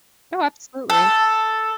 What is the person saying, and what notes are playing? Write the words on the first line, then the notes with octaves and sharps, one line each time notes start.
Oh, absolutely.
A4